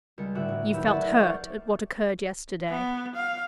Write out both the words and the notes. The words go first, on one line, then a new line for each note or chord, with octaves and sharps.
You felt hurt at what occurred yesterday!
C#2 G3 C#7
A2 D3 F#4 E5 D6 F#6
A1
F#1 D#2 G4 B4 B5 E6
A4 C#5 D5 E5 F#5 A5
F5 C#6 D6 F6 G6 A6
B3
F5